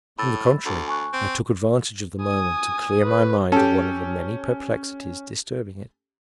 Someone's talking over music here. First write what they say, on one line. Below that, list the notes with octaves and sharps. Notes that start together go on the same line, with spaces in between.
On the contrary, I took advantage of the moment to clear my mind of one of the many perplexities disturbing it.
A2 B5 E6 A6
D2
G#5 C#6 F#6
C4
G#5 D#6
B4
C#4 G4 A4